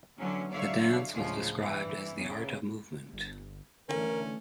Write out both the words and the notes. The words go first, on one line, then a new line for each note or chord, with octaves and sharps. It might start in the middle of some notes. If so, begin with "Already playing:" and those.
The dance was described as the art of movement.
D3 E3 F#3 C#4
D3 F#3 C#5 D5 E5 F5
D2 A2 C#3 F3 G#3 F4
G2 E3
E2 C#3
G1
D3 E3 A3 C#4 A#4